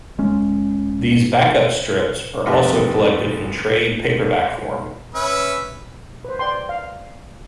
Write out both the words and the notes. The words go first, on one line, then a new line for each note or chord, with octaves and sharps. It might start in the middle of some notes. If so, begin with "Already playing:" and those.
These back-up strips are also collected in trade paperback form.
D1 G#3 C#4
F1 G4 B4
C#4 B4 E5
B4 C5
D5 G5 C6
F5